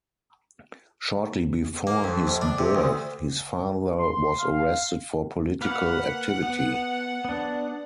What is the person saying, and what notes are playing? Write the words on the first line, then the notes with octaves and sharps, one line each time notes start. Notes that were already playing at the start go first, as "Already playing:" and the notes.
Shortly before his birth, his father was arrested for political activity.
A#3
F2
A#1
D4
C3
D2
C6
F5
A#3 B4 F5 F#5
B3
B3 D4